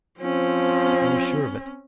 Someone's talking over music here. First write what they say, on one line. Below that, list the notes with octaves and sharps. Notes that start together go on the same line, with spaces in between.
I was sure of it.
F3 C4 C#4